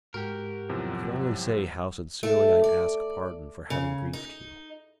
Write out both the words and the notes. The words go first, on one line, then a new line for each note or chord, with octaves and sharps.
I can only say how sincerely I ask pardon for having griefed you.
G#2 G#3 F#4 G4 A#4
E2 C3 F3 F#3
A3
D5
C#3
D#4